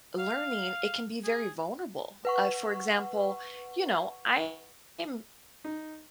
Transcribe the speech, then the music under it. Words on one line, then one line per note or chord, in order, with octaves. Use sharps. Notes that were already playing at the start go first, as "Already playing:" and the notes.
learning, it can be very vulnerable, uh, for example, you know, I am
F5
G#4
B4 F#5 C#6
D#4